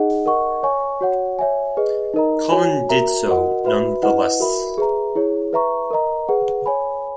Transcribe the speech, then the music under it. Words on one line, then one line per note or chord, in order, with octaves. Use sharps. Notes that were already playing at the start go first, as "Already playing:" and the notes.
Cullen did so nonetheless.
Already playing: D#4 G#4 D#5 F#5
A#4 D#5 F#5 C#6
C#5 G#5 C#6
F#4 C#5 F#5
C#5 E5 G#5
G#4 B4 D#5
D#4 A#4 D#5 A#5
F#4 C#5 G#5
F#4 A#4 E5 A#5
F#4 A#4 D#5 F#5
F#4 B4 E5 B5
E4 B4 D#5 F#5
F#4 A#4 E5 B5
G#4 B4 E5 A#5
E4 G#4 C#5
B4 E5 A#5 C#6
A#4 D#5 A#5
G#4 B4 F#5
C#5 G#5 B5